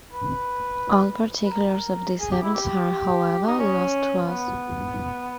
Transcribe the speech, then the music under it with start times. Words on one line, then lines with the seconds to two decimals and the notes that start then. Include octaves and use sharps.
All particulars of these events are, however, lost to us.
0.12 B4
1.45 B4
1.51 A#4
2.20 G#4
2.32 G4
2.43 E4
2.54 G4
3.47 D#4
3.59 C#4
4.27 B3